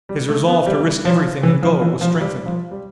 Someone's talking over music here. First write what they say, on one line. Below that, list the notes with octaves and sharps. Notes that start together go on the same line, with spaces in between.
His resolve to risk everything and go was strengthened.
G3
A3
B3
G3
F3
E3
F3
E3
F3
G3
F3
G3